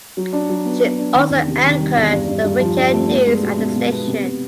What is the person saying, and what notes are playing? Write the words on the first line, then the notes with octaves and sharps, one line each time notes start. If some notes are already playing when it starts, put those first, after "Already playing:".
She also anchored the weekend news at the station.
F#3
D4
F#3
B3
B3
D4
D#3
E2
C3
D#3
G3
E2
G2
G2
G2
F3
G2
A3
B3
G#3
B2
B2
B2
B3
C3
C3